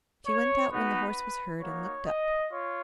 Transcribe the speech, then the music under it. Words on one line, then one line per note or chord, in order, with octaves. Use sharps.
She went out when the horse was heard, and looked up.
C#5
B3 D#4 F#4 B4
A#3 D#4 F#4 C#5
D#5
F4 C#5